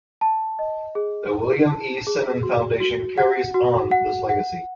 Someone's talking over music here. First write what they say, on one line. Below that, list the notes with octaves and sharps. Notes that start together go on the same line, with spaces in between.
The William E. Simon Foundation carries on this legacy.
A5
D#5
G#4
E4
A5
G#4
F#4
F#4
F#5
F#4
F#5
F#5